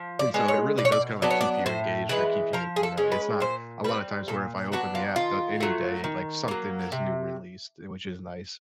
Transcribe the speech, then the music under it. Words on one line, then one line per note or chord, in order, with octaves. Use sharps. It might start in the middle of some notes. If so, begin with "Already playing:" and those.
And so it really does kinda, like, keep you engaged or keep you you know, it's not a lot of times where if I open the app da any day, like, something is new released, which is nice.
Already playing: F3
D5
G#3 B3 D4
C#5
B2 D5
C#5
D5
F#3 B3 D4 D5
C#5
D5
A2 C5
E3 G#3 B3 B4
F3 A#4
G#4
A4
G#3 C#4
B4
A#2 C5
G3 C4 B4
A#2 A4
F#3 B3 D4 F#4
F4
D#3 F4
F#3 A3
D#3
F#3 A#3
C3